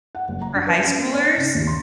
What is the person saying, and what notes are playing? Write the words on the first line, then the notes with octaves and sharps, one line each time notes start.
for high schoolers
F#5
F#1
A#5
D4
B4
C#4
A#3
D5
C#3
D#2
C6